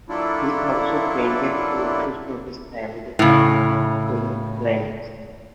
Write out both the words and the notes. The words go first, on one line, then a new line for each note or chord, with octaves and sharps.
He also painted portraits of his family and circle of friends.
F#3 A#3 D4 E4 F4 A4
A2 C#3